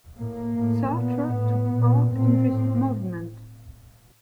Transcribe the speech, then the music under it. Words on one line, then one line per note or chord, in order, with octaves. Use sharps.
Sartre took part in this movement.
A2 A#3
A2
A#2 B3
A2
A#2
A#2 C4
A2